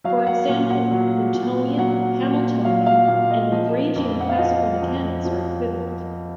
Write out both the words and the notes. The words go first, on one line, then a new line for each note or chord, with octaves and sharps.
For example, Newtonian, Hamiltonian and Lagrangian classical mechanics are equivalent.
F#3 F5
F#5
A#2
F#5
F#3
A#2
F#3 F#5
A#2
F#3 F5
F5
A#2 F5
D#5
F3 D#5
F2
F#5
F5
F3 D#5
F2
F3